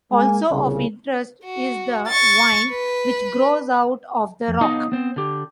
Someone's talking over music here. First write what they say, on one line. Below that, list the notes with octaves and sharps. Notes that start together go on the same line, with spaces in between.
Also of interest is the vine which grows out of the rock.
G#3 A#3 G#5
C2 A#2 C#3
F#4
C#6 A6
B4
F2
B3 D#4 D#5 F5
B3 C4
D3 G4